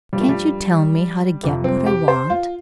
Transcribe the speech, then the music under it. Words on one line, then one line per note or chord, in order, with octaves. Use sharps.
"Can't you tell me how to get what I want?"
G2 F3 G3
A3
G3
F2 C3 F3
C4
G4
C5
F4